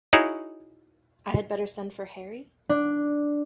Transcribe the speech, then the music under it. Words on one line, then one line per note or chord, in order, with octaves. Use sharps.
I had better send for Harry?
D#4 E4 F#4 G#4 C#5
D4